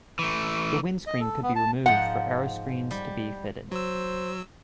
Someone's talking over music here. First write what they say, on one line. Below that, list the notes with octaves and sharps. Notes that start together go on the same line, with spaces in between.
The windscreen could be removed for aeroscreens to be fitted.
E3 A3
D#5
A4
B3
A5
G#2 F3 F#5
G3
F#3 C5 E6